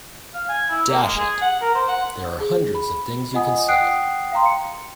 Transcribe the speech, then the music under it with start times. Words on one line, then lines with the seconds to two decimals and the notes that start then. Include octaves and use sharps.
Dash it, there are hundreds of things you can say.
0.34 F5
0.49 G#5
0.70 E4
0.89 A#3
1.03 G#3
1.17 G#4
1.41 F#5
1.61 A#4
1.75 C5
1.88 F#5
2.40 G#4
2.75 B5
3.34 F4 D#5 F#5 G#5 D#6
3.68 F#5 G5 D#6 F#6 C7 D7
4.32 F5 G5 A#5 C6
4.46 C#7